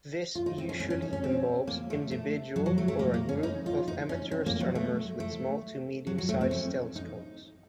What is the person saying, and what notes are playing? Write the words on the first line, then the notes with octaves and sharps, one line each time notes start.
This usually involves individual or a groups of amateur astronomers with small-to-medium-sized telescopes.
F4
D#4
C4
C#4
C#4
C#4
D#4
C#4
C4
A#3
A3
A3
F#3
F#3
A3
A3
A#3
A#3
C#4
D#4
F4
D#4
C#4
C4
A#3
F#3
A3
A3
F#3
F#3
A3
C4
C#4
D#4